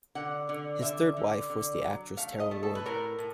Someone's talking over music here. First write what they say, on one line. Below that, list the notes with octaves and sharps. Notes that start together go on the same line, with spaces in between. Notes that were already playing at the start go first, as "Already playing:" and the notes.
His third wife was the actress Tara Ward.
D3 F#5
D3
D3 E5
D3
D3
F#3
A3 F5
D#5
A3
A4
B4
A2 A#4
A2